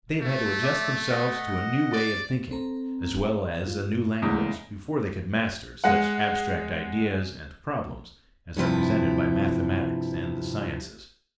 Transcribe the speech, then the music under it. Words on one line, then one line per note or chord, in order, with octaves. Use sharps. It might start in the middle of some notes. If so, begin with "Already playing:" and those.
They have had to adjust themselves to a new way of thinking, as well as a new language, before they could master such abstract ideas and problems as are presented by mathematics and the sciences.
A3
D5 E5
D#5 F#5
D5
C4 A4 A#5
G2 F4
E2 G#2 C#3 A3 A#3
G#3 F#5
G2 C3 F3 E4